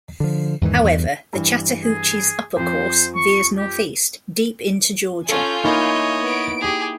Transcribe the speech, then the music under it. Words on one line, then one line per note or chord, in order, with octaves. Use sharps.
However the Chattahoochee's upper course veers northeast, deep into Georgia.
D3 F3
E2 G#2 D#3 E3
E2 G2
G2 E3
G#4
F2 F3 C5
C#6
G4
C#4 F4 A4 G#5 G6
A#3 D#4 E4 C#5 D#5
B3 D7
G4 G#4